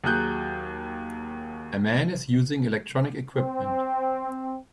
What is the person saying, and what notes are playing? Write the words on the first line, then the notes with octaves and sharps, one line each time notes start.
A man is using electronic equipment.
D#2 F#3 G#4 F#6 G6
C4